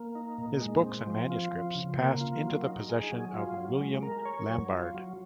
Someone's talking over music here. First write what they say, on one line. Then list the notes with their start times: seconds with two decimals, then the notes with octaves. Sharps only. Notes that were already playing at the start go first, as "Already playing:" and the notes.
His books and manuscripts passed into the possession of William Lambarde.
Already playing: A#3
0.15 D#4
0.38 A#2
0.62 G#3
0.84 C4
1.07 F3
1.30 F4
1.53 F3
1.75 C#3
1.98 A#3
2.21 F4
2.43 F#3
2.67 D#4
2.89 G#4
3.12 F#3
3.35 F4
3.57 F#3
3.81 G#3
4.03 A#4
4.25 C#5
4.49 F#3
4.71 F4
4.94 F#3